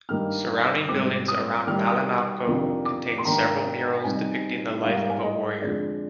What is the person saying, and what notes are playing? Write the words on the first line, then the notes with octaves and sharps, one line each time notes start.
Surrounding buildings around Malinalco contained several murals depicting the life of a warrior.
G2 D#3 A#3 D#4 F6
G#2 G3 C4 D6
D#6
D#3 G3 A#3 F6
D#6
F2 C3 D#3 A#3 D4
D6
C6
G#2 D#3 A#3 D4 A#5
C3 G3 C4 D#4 G#5
G#2 G3 A#3 D#4 F5
F5
G#5
D#5
F2 D3 G#3 D5